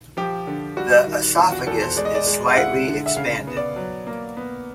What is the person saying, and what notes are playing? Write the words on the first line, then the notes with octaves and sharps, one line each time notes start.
The esophagus is slightly expanded.
F3 G4
D3
G3 F#4
D#3
E2 F4
F#4
E2 A4
C5
G#3 D5
D#5
D5
G#3
F5
E4 F#5
D3
E5
C#3 F5
B3
D5
F#3
A#3
B3